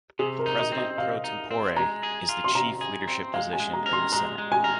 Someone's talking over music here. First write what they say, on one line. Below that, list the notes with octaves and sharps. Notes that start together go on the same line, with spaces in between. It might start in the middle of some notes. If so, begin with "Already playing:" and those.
The President pro tempore is the chief leadership position in the Senate.
C3 G#4
A#4
D#4
D#5
C4
D#5
C3 F5
D#4
C4
G#3 A#5
G#4
F4
C6
C3 A#5
G#4
C4
G#3 F5
G#5
G#3
A#5
A#4
C6
G#3 A#5
G#3
G#5
A#4